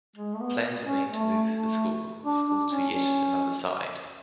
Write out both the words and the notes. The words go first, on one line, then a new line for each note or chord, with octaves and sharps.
Plans were made to move the school to yet another site.
G#3
A3
B3
C#4
A3
A3
D4
D4
C#4
C#4